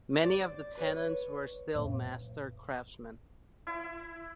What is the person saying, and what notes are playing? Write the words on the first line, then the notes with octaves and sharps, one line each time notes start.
Many of the tenants were still master craftsmen.
C5 D5
B4 C#5
F#2 A#2
E4